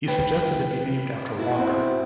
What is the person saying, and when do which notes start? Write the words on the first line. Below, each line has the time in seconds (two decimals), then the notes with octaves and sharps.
He suggested it be named after Walker.
0.08 B4 G5
1.38 E4 F#4
1.58 C4